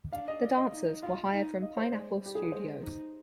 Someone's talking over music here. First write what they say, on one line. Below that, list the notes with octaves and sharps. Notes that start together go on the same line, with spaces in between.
The dancers were hired from Pineapple Studios.
D4 F5
D#5
D5
D#5
D#4
F4 F5
D#4
D#5
C5
G#3 D5
G3 G4
G#4
B4
G#3 C5
D#4